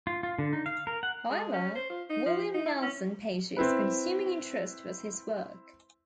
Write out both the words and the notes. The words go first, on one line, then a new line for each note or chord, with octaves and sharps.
However, William Nelson Page's consuming interest was his work.
F4
F4
D3
D#4
F5
A#4
F#5
G#3
C#4
C5
F4
D#4
F3
D#4
E4
C#4
C4 E4 B4